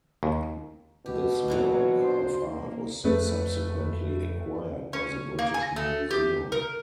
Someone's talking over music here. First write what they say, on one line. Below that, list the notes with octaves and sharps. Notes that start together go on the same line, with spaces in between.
This work of art was subsequently acquired by the British Museum.
D#2
B2 G4
F#2 A#2 E3 F#3 C#5
D4 C5
A#3
F2 A3 B4
C#4
A#3
G#5
A3
G4
A#4